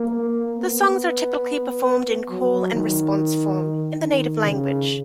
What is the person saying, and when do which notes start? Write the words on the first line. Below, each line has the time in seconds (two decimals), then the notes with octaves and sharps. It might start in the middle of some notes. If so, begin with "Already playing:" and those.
The songs are typically performed in call and response form, in the native language.
Already playing: A#3
0.59 B3
2.31 F#3
2.73 D#3
4.01 D#3
4.44 C#3